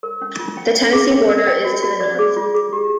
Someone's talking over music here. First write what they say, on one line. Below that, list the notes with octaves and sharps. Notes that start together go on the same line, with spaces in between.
The Tennessee border is to the north.
A#4
C#4
F4
G5
G5
G#4
G5
A#4
G5
F#4
F#4
D5
G#4
F4
G#4
G4